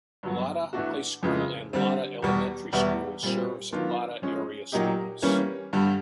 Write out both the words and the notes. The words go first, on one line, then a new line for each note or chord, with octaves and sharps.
Latta High School and Latta Elementary School serves Latta area students.
G2 D3 F#3 B3
A2 E3 A3 D4 F#4
F2 C#3 E3 G#3
D3 G3 C4
E2 B2 G3
E2 B2 G3 B3 E4
A#2 G3 C4
D#3 F#3 B3 D4 F4
F3 G#3 C#4
A#2 F#3 A#3 D#4 G4
E3 G3 A#3 C#4
G2 D3 G3